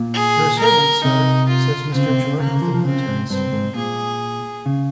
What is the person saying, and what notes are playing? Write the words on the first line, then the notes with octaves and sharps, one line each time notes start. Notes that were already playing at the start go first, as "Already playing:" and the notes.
"Your servant, sir," says Mr. George with a military salute.
Already playing: A#2
G#4
A#4
C3 D#4
F4
C#3 C4
C3
C#3
C#3 A#3
C#3
F3
F3
C#3 C4
G#2
G2 C4
G#2
A#2 G#4
C#3